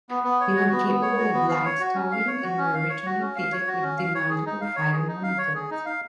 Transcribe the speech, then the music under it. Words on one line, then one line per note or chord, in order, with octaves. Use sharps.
They were capable of light towing, and were originally fitted with demountable fire monitors.
B3
B3
C#5
F#4
B3
B3
C#5
F#4
B3
F5
C#5
F#4
C#4
F5
C#5
F#4
C#4
F5
C#5
F#4
C#4
F5
C#5
F#4
C#4
F5
C#5
G#4
D#4
F5
C#5
G#4
D#4
F5
C#5
G#4
D#4
F5